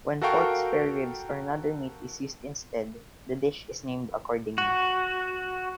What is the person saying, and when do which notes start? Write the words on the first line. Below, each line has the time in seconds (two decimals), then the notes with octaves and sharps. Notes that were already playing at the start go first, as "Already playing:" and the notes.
When pork spareribs or another meat is used instead, the dish is named accordingly.
0.22 F#4 A4 A#4 F5 G5 C#6
4.58 F#4